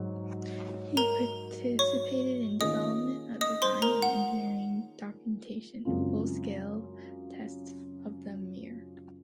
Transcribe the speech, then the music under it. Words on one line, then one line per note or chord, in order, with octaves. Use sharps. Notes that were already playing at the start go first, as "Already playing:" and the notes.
He participated in development of design and engineering documentation, full-scale tests of the Mir.
Already playing: G#2 F#3
A#4 A#5
C#5 C#6
D#3 A#3 C#4 F4 G#4 D#5 D#6
D#5 D#6
C5 C6
A#4 A#5
F#5
F#2 C#3 G#3 C4 F4